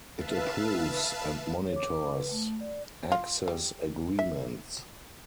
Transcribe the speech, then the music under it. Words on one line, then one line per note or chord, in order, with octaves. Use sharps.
It approves and monitors 'access agreements'.
B4 E5 F5 A5
C#5
D6
B4
A3
D5
F4
G3
E5